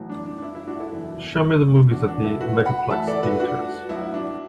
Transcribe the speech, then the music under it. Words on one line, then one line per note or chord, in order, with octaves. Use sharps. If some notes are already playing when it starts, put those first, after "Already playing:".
Show me the movies at the Megaplex Theatres.
Already playing: B1 A2 E3
D4
D4
D4
E4
E4
D4 F#4
E4 A4
F#1 E2 E3
E1 E2 E3 D4 F#4
D4 F#4
E4 A4
F#4 B4
F#5 B5
A1 A2 E3 E5 A5
A4 D5
F#4 B4
D4 F#4
B1 B2 E4
D4